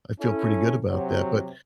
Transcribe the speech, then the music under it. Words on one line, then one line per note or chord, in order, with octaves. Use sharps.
I feel pretty good about that, but
C#4 E4 A4
C3 F#3